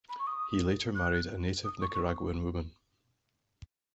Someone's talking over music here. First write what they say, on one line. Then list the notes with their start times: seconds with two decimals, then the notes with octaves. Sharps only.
He later married a native Nicaraguan woman.
0.08 B5
0.19 C#6
0.26 D#6
0.95 F#6
1.64 D#6
1.81 C#6
1.93 C#6